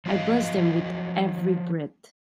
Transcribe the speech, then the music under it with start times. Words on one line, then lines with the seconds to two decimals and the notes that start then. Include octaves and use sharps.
I bless them with every breath.
0.06 F3 F#3 F#4 D#5 F5